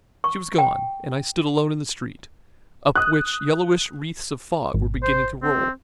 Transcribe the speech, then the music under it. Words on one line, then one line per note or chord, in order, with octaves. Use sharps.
She was gone, and I stood alone in the street, up which yellowish wreaths of fog were beginning to roll.
C#6
G5
D#6 F#6
G#1
C5
C4